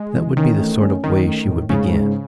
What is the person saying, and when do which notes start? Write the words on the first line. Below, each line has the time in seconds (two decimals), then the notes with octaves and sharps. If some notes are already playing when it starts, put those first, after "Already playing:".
That would be the sort of way she would begin.
Already playing: G#3
0.15 E3
0.37 D#3 C#4
0.59 A3
0.81 C#4
1.04 D#3 C#4
1.25 A3
1.47 A2
1.70 G#2 C#3
1.92 G#2